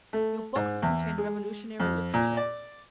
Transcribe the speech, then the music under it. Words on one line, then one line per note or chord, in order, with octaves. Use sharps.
Your boxes contain revolutionary literature.'
A3
G#2
E2
G#3
F2
A#2
D5